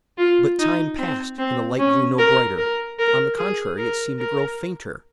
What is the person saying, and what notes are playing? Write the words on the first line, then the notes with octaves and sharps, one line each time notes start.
But time passed, and the light grew no brighter; on the contrary, it seemed to grow fainter.
F4
D#4
C4
C4
C#4
A#4
A#4
A#4
G#4
A#4
A#4